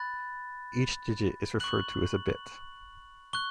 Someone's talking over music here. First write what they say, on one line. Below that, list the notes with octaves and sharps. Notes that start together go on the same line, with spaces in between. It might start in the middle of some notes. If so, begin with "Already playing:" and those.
Each digit is referred to as a bit.
Already playing: B5 F#6 A6
C#6 F#6 F#7
C#6 F#6 G7